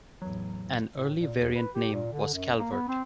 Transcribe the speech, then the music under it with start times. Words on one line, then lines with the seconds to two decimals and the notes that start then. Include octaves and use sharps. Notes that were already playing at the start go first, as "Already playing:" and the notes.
An early variant name was Calvert.
0.22 E2 A2 F#3
0.97 A2
1.19 A#2
1.41 D#2
1.56 B4
1.75 G4
1.93 A#2
2.13 D3
2.33 F#2
2.59 A#3
2.72 B3
2.88 C4